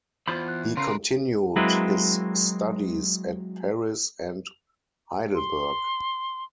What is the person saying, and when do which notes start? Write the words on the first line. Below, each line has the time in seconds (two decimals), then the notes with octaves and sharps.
He continued his studies at Paris and Heidelberg.
0.28 E2 F4 C5 B5
0.48 F#6
0.77 C#3 A#4 B4 C6 C7
1.56 F#3 G#3 A#3 C4 E4 B4
5.35 C6